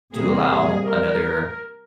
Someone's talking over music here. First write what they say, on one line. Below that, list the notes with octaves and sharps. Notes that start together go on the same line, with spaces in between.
to allow another,
C3 G3 A#3 G#4
G#4
A#4